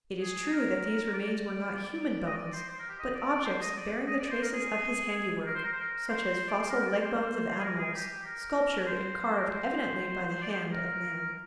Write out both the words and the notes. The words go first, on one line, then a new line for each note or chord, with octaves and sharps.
It is true that these remains were not human bones, but objects bearing the traces of his handiwork, such as fossil leg-bones of animals, sculptured and carved evidently by the hand of man.
G#4
A#4
D5
D5
D#5
D5
C5
C5
A#4
G4
D#5
D5
D5
C5
D#5
D5
D#5
D5
C5
A#4
G#4
G#4
A#4
C5
A#4
C5
A#4
C5
D5
C5
A#4
D5
C5
G#4
A#4
G#4
G4
A#4
C5
A#4
C5
D5
C5
A#4